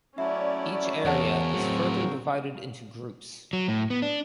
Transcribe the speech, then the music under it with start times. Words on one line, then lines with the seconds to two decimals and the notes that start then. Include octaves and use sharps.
Each Area is further divided into groups.
0.18 F#3 A3 C#4 E4 D5 E5
1.05 E2 C#3 F#4 A#4 C#5 F#5 A5
1.53 A2 F#3 C4
3.53 F#3
3.68 A2
3.90 B3
4.02 D4